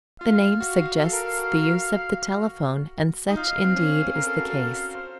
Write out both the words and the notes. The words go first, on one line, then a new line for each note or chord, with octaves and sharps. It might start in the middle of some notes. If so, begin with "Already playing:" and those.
The name suggests the use of the telephone, and such indeed is the case.
F4 F5
F#4
A4
A#4
A4
F#4
D#4 D#5
F4 F5
C4
C#4
A#4
A4
F#4
A4
C5